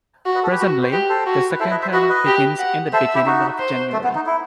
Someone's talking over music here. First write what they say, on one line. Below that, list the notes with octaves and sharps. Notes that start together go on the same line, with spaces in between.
Presently, the second term begins in the beginning of January.
F#4
B4 D#5
F#4 A4
G4 B4
F#4
C5
G4 B4 D#5
A4 C5
F#4
B4
E4 A4 C5
B4 D#5
C5 E5
F#4 B4 D#5
B4 D#5
G4
F#5
A4 C5 E5
E4 G4
D#4 F#4
C5
A3
B3
D#4
E4